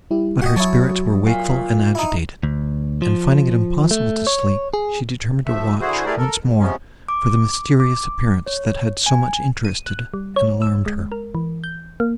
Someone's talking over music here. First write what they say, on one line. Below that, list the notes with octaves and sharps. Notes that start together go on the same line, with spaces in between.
But her spirits were wakeful and agitated, and, finding it impossible to sleep, she determined to watch, once more, for the mysterious appearance, that had so much interested and alarmed her.
G3 E4 G4
F#4 D#5 F#5 G5
F#3 E4 C#5 A5 C#6 D#6
F4 A#4 F5
D#4 E4
D2
F3
A3
C#5
G#4
D2 F3 A3 E5
D3 E4 F#4 G#4 C5
A3 E4 G4 G#4 A#4 D5
A4 A#4
G#2
C3 F3 G#3 B3 C#4
D6
D6
C#5
G#5
D#7
F#6
G3
C#5
E6
G#3
A#4
E3
G6
A#3